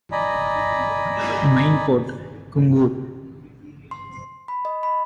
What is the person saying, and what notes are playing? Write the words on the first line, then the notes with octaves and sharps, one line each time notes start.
Main port: Kungur.
D5 D#5 G#5 A#5 B5
C6
B5
D#5
B5